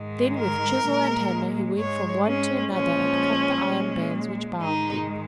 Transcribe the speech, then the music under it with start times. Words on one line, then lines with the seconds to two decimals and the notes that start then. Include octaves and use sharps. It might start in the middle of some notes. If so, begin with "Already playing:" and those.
Then with chisel and hammer he went from one to another and cut the iron bands which bound them.
Already playing: G#2 D#3 G#3
0.38 A#4
0.86 A#2 G#3
1.79 G#2 G#3 C#5
2.26 C#4
2.73 A#2 F3 G#3 C#4
3.67 A#2 G#3
4.60 G#2 D#3 G#3 D#4